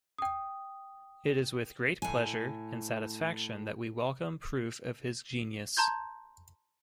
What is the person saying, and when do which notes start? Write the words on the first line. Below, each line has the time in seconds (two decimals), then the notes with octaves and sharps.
It is with great pleasure and satisfaction that we welcome proof of his genius.
0.18 G5 D#6
2.02 A2 G#5
5.77 A5 A#5 C6 G6 G#6